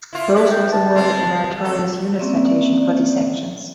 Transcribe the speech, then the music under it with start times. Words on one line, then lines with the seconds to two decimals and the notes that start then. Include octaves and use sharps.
Groves was awarded a Meritorious Unit Citation for these actions.
0.13 E4 F4
0.35 G2 E4 B4
0.50 G5
0.72 A5
0.95 G#3 C4
1.64 F2 A4
2.19 A#3 C4 C#4 D5 E5